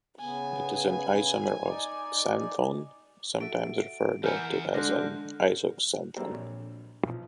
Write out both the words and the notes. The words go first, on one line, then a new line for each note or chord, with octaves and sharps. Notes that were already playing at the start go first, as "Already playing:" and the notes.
It is an isomer of xanthone, sometimes referred to as an isoxanthone.
C#3 B3 G#5
D#4 D5
F#4 A4 E5 D7
E3 A#4 F#5 G#5 A#5 F6 G6
D3 G#3 D4 E5 F#6 A#6
F#3 G3 A#3 C4 D4 A4
A#1 C#5
B1 F3